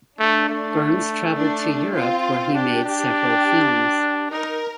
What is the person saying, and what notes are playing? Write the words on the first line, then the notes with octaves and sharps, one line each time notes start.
Byrnes travelled to Europe where he made several films.
A3 D4
A3
D4
C4 F4
D4 G4
D4
D#4 A#4